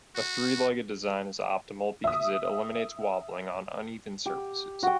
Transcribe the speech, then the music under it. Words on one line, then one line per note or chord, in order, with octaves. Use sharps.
A three-legged design is optimal because it eliminates wobbling on uneven surfaces.
F#4
E5 D#6
G4
F#4 G5